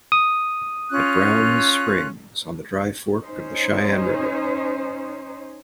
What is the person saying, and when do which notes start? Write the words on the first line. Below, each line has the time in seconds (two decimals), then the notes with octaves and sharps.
At Brown's Springs, on the dry fork of the Cheyenne River.
0.12 D#6
0.90 C#4 F4 F#6
3.22 C#4 D#4 C5